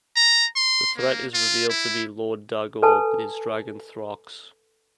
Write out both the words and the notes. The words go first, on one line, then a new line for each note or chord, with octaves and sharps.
The threat is revealed to be Lord Daggor, with his dragon Thraxx.
A#5
C6
A#3
F4
E4
A4 B4 G#5 A5